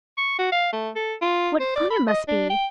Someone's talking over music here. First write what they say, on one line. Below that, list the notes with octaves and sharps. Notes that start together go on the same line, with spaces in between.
"What fun it must be!"
C#6
F#4
F5
A3
A4
F4
C5
D5
B5
D#5
D4
G5